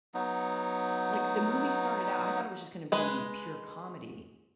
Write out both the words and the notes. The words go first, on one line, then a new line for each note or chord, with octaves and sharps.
like, the movie started out I thought it was just gonna be pure comedy
F#3 B3 D#4
G#3 B4 G#5